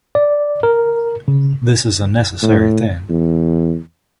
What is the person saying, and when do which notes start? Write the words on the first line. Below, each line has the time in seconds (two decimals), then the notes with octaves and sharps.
This is a necessary thing.
0.15 D5
0.63 A#4
1.28 C#3
2.42 A2
3.09 E2